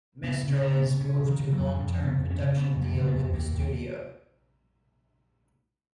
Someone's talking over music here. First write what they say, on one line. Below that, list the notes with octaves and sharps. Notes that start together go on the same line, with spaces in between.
Mestres moved to long term production deal with the studio.
C#3 B3
C#3
C#4
C#3
B3
C#3
C#3 C#4
C#3
D#3
C#3
F#3
F2
F2 F3
C#3
B3
F2
C#4
C#3
C#3 B3
F2
A#3
C#3
B3
F2
D#2 A#3
D#2